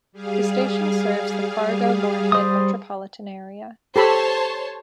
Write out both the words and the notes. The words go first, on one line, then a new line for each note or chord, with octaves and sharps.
The station serves the Fargo-Moorhead metropolitan area.
G3 G#4 F5
G3 C5 D#6
G4 A4 C5 C#5 A5 B5